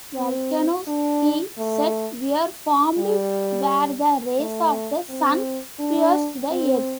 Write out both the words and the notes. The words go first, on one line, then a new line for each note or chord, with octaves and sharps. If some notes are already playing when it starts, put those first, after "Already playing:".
Volcanoes, he said, were formed where the rays of the sun pierced the earth.
C4
D4
A3
G3
A3
C4
D4
C4